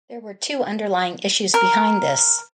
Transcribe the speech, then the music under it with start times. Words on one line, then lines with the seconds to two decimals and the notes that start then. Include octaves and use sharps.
There were two underlying issues behind this.
1.54 A#4